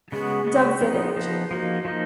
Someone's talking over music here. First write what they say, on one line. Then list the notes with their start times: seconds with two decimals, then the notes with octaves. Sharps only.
Duck Village.
0.12 C#3 G#3 B3 F#4 G#4
0.46 C#3 G#3 B3 F#4
0.81 F3 B3 D#4 G#4
1.16 F3 B3 D#4
1.51 F3 A#3 D#4 F#4
1.85 F3 A#3 D#4